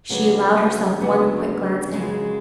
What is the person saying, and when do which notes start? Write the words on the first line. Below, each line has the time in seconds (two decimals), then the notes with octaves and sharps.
She allowed herself one quick glance at him.
0.09 D2 C#3 F#3 B3 D4
1.00 D2 C#3 F#3 B3 D4
1.92 F#2 C#3 G#3